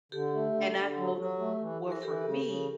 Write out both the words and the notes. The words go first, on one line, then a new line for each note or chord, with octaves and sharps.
And I told him, "Well, for me,
D3 G4 A4
A3
D3
D3
F#3
F#3
A3
E3
E3
A#4
E3 G4 A4
C#3
C#3